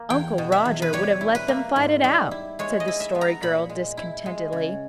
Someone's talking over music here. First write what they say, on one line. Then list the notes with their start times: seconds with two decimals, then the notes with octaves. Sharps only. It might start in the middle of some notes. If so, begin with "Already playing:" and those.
"Uncle Roger would have let them fight it out," said the Story Girl discontentedly.
Already playing: A#3
0.10 E2 G5
0.38 B2
0.52 E5
0.65 E2
0.82 B4
0.93 G3 C#5
1.21 E4
1.35 B4
1.48 A#3
1.76 G#2
2.04 G3
2.31 E4
2.59 G#3 C#5
2.80 D#5
2.88 E4
3.00 E5
3.15 B3
3.21 A#5
3.42 A#2 B5
3.69 G#3
3.97 E4
4.26 G#3
4.52 C#3